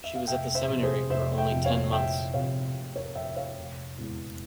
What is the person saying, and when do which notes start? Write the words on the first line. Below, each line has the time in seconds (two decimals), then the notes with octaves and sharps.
She was at the seminary for only ten months.
0.04 E5
0.15 F5
0.27 F1 E5 G5
0.55 C5 E5
0.69 F2 C3
0.83 G#4 C5
1.10 F1 C5 E5
1.38 E5 G5
1.51 F2 C3
1.65 C#5 F5
1.92 F1 E5 G5
2.34 F2 C3 C#5 F5
2.75 F1
2.95 A#4 C#5
3.15 F2 C3 E5 G5
3.36 C#5 F5
3.57 F1
3.99 E2 C3 E3 G#3